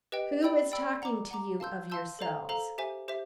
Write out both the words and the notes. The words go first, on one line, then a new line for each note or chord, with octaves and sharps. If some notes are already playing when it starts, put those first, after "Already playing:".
Who is talking to you of yourselves?
G4 B4 D#5 G5
D5 G5 B5 E6
D5 G5 B5 E6
F#5 A#5 D6
F#5 A#5 D6
F5 A5 C6 E6 G6
F5 A5 C6 E6 G6
A4 C5 F5 A#5
A4 C5 F5 A#5
G4 C5 E5 G#5
G4 C5 E5